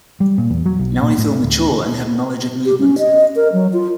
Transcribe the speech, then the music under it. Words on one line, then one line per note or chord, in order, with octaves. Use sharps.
Now I feel mature and have knowledge of movement.
G3
A#2
E2
F#3
B1
A#2
A2
D2
G4
C#4
D#5
A#4
F#3
F4